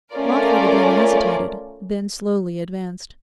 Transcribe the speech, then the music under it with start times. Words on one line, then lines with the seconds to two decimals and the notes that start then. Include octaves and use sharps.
Lawford again hesitated, then slowly advanced.
0.13 A3 C#4 F4 A#4 D5